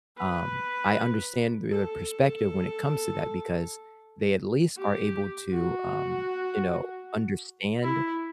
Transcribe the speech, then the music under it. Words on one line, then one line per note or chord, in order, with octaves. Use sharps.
um, I understand their perspective when it comes to that because they at least are able to, um, you know, understand
B4
A4
G4
F#4
E4